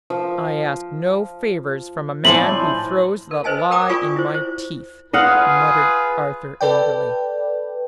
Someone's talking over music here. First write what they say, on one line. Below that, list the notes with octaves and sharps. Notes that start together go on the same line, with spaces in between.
"I ask no favors from a man who throws the lie in my teeth," muttered Arthur angrily.
F3
A2 F3 D4 E4 C5 G#5 F#7
A#4
B4 C5 D#5 G#5 A5
A#4 G5 A#5 D6 D#6
F4 D5 G#5 C#6
E4 C5
C5
F4 G#4 B4 D#5 F5 F#5
A4 B4 D5 G5